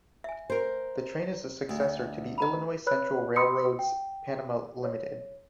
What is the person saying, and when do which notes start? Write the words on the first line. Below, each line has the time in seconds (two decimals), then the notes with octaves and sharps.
The train is a successor to the Illinois Central Railroad's "Panama Limited".
0.24 E5 G#5
0.50 A#4 C5
1.69 D2
2.38 D#5 A#5 B5
2.87 B4 C#5 B5 F#6
3.36 B5 C6 D#6 E6 C#7
3.79 G5
4.83 C#5